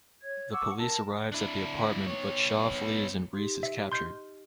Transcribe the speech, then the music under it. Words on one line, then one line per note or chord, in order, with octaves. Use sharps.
The police arrives at the apartment but Shaw flees and Reese is captured.
C#5 G#6
F#5 C#6 D6 E6
A#4 A5
D4 E4
B3 C#5
D#4 G4 C6
E5
D#5 C6 F6 G6